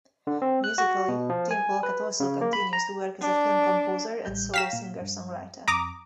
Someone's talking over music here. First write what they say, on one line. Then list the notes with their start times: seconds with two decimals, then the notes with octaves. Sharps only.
Musically, Tim Polecat also continues to work as a film composer and solo singer-songwriter.
0.27 D3
0.42 C4
0.64 F#6
0.78 F#4
1.08 B2
1.30 F3
1.51 G#5
1.83 B4
2.20 C#3
2.41 A#3
2.53 B5
2.73 A#5
3.21 D4
4.25 A1 G3 G6
4.54 F5 G5 A#5 B6 E7
4.73 A#2
5.02 G2
5.68 F2 A#5 D6 D#6